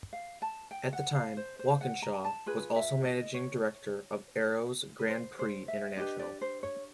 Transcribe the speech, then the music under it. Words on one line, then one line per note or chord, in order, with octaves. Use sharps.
At the time, Walkinshaw was also managing director of Arrows Grand Prix International.
F5
A5
G5
F#5
F5
C5
C5
F#5
A#5
A5
F4 G#4 B4
E5
D#5
C#5
B4
C5
C5
E5
D4 G4 B4 D#5
D5
C5
C#5